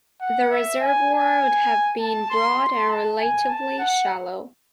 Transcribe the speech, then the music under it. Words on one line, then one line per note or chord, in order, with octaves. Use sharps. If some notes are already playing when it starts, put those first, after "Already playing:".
The reservoir would have been broad and relatively shallow.
F#5
E5
G#5
G#5
A5
C6
C6
A5
G#5
A5
F#5